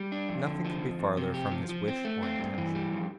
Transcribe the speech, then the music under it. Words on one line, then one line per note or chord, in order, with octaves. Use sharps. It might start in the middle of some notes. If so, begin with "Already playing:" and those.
Nothing could be farther from his wish or intention.
Already playing: G3
D4
F2
D3
F3
F2
F2
C3
G4
F3
F3
C4
A3
C4
G2
E3
G3
F2